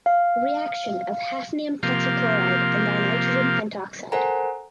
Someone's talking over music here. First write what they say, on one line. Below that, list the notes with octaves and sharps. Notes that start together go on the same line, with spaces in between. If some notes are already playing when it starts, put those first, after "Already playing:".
Reaction of hafnium tetrachloride and dinitrogen pentoxide.
F5
C3 F3 A#3 F5
A4 A#4 C5 F#5 G#5 A#5